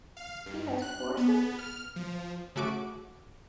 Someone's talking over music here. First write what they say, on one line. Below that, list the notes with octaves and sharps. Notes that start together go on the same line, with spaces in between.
He has four sisters.
F5
G2
F#6
B3
F6
F3
C#3 A3 F#4 D6